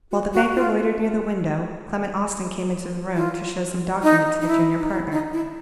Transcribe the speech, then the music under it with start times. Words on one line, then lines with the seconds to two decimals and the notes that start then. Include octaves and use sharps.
While the banker loitered near the window, Clement Austin came into the room, to show some document to the junior partner.
0.11 F#4
0.33 F#4
0.55 F4
3.16 F4
4.03 D#4
4.41 D#4
4.47 E4
4.79 D#4
4.90 E4
5.12 D#4
5.33 E4